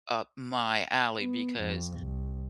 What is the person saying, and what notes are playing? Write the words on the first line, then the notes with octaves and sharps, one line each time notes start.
up my alley," because
B3
F2
C2